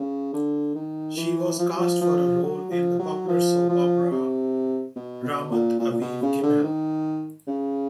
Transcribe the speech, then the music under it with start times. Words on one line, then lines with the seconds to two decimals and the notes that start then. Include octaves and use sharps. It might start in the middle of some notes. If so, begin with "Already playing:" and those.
She was cast for a role in the popular soap opera "Ramat Aviv Gimmel".
Already playing: C#3
0.33 D3
0.75 D#3
1.17 E3
1.59 F3
1.69 F#3
1.78 F3
2.01 F3
2.43 F#3
2.71 F3
2.99 F#3
3.28 F3
3.69 F3
4.11 C3
4.96 B2
5.23 B2
5.51 A#2
5.79 A#2
5.91 A#2
6.01 B2
6.22 C#3
6.43 D3
6.63 D#3
7.47 C#3